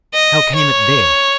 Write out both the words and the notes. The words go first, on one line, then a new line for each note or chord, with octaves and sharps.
"How came it there?"
D#5
C#5